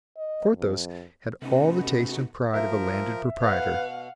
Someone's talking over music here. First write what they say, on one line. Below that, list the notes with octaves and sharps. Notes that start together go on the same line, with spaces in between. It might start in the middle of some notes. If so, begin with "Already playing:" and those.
Porthos had all the taste and pride of a landed proprietor.
D#5
F2
C3 A3 B3 C#4 D#4 F#4
F3 A#4 E5
B2 B4 F5 F#5